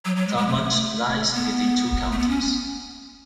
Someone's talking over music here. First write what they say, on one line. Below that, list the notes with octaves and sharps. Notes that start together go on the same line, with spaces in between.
Tallmadge lies within two counties.
F#3
F#3
G#3
G#3
A3
B3
A3
B3
C#4